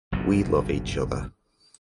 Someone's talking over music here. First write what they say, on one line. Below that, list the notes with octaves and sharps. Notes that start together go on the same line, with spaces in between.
We love each other.
F#1 B1 G2 B2